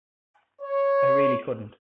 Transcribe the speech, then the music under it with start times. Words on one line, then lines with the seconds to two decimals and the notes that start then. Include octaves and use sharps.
I really couldn't.
0.62 C#5